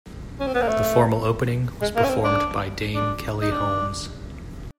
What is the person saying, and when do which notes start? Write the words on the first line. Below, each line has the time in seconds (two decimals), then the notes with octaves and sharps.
The formal opening was performed by Dame Kelly Holmes.
0.40 C#4
0.47 C4
0.55 B3
0.62 A#3
0.68 A3
1.82 G#3
1.96 A#3
2.04 C#4
2.10 C4
2.24 D4
2.95 D4
3.41 D#4
3.51 D4